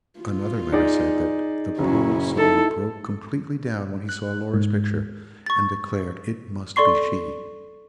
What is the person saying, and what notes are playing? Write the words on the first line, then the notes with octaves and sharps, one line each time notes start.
Another letter said that "the poor soul broke completely down when he saw Laura's picture, and declared it must be she."
F4
D#4 G#4 D5
F#1 F#3 C#4 E4
D#4 E4 A4
F#6
G#2
C#6 A6
A4 D5 C6 C#6 C7